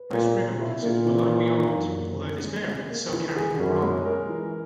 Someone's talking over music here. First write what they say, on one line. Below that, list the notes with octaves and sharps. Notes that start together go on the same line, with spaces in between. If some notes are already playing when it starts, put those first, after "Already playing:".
Most river monitors were lightly armored although this varied, with some carrying more armor.
Already playing: B4
A#2 G#3
A#2
E4
A#2 A#3
E3
E3
D#3
F#2
A#3
C#4
G#3
G#3
A#3
E3
G#4
F#2 C#4
G#3
A#4
E3